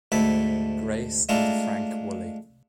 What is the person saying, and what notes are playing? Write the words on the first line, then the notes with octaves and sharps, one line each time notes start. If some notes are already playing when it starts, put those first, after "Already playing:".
Grace and Frank Woolley.
D2 G#2 A3 A4 B5
G#3 A3 D4 F4 A4 A#5